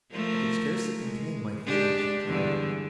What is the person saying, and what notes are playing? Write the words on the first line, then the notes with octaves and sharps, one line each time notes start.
I could scarcely contain my feelings of triumph.
F3 A3 A#4
G#3
G#3 D4 G4
E2 G2 D3